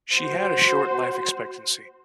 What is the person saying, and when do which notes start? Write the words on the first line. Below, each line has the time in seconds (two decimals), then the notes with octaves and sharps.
She had a short life expectancy.
0.15 F#4 C5